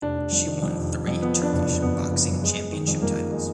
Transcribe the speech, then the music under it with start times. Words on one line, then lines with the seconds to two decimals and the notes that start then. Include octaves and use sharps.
She won three Turkish Boxing Championship titles.
0.02 F1 D4
0.17 F1
0.32 F2
0.47 D#3
0.62 F2
0.77 F1
0.92 F1
1.07 F2
1.22 F3 B3
1.37 F3
1.42 D4
1.53 F#1
1.68 F#1
1.82 F#1 B3
1.97 F3
2.12 F#1
2.28 F#2
2.43 G#3
2.57 G#3
2.72 D#3
2.88 F2
3.02 F2 A#3
3.17 D#3
3.32 G#3